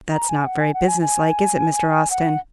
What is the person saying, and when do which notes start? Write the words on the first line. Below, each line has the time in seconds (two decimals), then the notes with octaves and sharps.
That's not very business-like, is it, Mr. Austin?
0.10 A#5
0.29 G#5
0.46 F#5
0.60 G#5
0.74 F#5
0.88 G#5
1.02 G#5
2.10 F#5